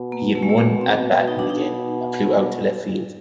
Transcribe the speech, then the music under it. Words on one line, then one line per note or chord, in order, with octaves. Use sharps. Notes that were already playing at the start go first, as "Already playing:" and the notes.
He had one at-bat in the game, and flew out to left field.
Already playing: B2
A#3
A3
G#3
A3
G#3
C4
D#4
D4
B2 D#4